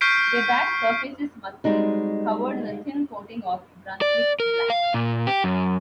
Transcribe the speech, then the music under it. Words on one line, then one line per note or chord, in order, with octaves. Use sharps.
Their back surfaces must be covered in a thin coating of Brunswick black.
C#6 F6 G6 B6 C7 D7
G3 G#3 C4 D#4 F#4
D5
A#4
F5
A#2
G4
F#2